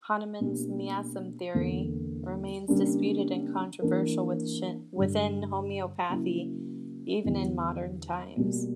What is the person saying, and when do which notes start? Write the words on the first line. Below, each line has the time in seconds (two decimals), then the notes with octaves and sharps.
Hahnemann's miasm theory remains disputed and controversial within homeopathy even in modern times.
0.40 B2 A#3 D4 G4
1.54 E2 D3 A#3
2.68 C#3 G3 A#3 D4
3.82 E3 A#3 D4 A#4
4.96 G2 D3 G3
6.09 C#3 F#3 A#3 E4
7.23 E2 D3 G3 B3 E4
8.37 B2 G3 A#3